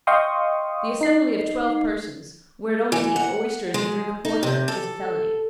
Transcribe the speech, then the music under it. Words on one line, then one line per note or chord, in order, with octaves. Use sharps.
The assembly of twelve persons, were it only to eat oysters and drink porter, was a felony.
D#5 F5 G5 C6 C#6 D#6
D#4 C7
E3
F#5
G#3
D#4
C3
A4